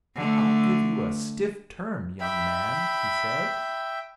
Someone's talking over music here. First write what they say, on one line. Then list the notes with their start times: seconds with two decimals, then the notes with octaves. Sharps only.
"I'll give you a stiff term, young man," he said.
0.16 D3 A3
2.20 E5 G5 B5